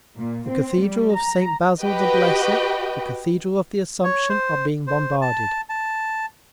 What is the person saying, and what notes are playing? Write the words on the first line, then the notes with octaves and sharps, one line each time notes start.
The Cathedral of St. Basil the Blessed, the Cathedral of the Assumption, are being bombarded.
A#2
C4
G3
A#5
F#4 G4 B4 D#5 G5
C#5
C5
C5
A5
A5